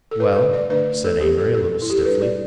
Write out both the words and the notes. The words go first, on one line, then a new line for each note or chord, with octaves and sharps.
"Well?" said Amory a little stiffly.
A4
B4
B4
D5
D3 A3 D4 B4
A4
G4
A4
A4
E4
G4
A4
G3 D4 B4
D5